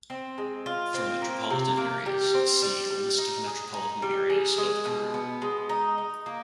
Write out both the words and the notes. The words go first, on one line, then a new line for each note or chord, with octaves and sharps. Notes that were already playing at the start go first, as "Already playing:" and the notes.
For metropolitan areas see List of metropolitan areas of Peru.
C4
G#3
F4
C4
A#3
C3
A#3
G3
C4
G3
G3
D#4
G#4
D#4
G3
G#4
G#3
B2
B3
G#3
D#4
D#4
A#3